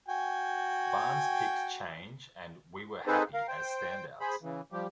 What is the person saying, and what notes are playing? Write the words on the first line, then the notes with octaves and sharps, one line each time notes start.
Barnes picked "Change" and "We Were Happy" as standouts.
F#4 G5 G#5
C4 D#4 G#4 A4 B4 C5
A#4 F5
C5 G5
G#4 C5 B5
C#3 E3
F3 G3 G4